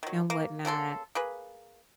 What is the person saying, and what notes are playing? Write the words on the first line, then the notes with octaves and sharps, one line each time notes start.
and whatnot.
D#3 F#3
A#3
C#3 A#3 A4 C6
A#3 G#4 B4